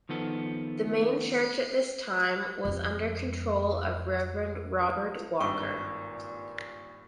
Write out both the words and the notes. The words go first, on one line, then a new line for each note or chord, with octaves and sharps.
The main church at this time was under control of Rev Robert Walker.
D#3 F3 B3 A4
F2 G#3
G#1 G2 A#2 C#6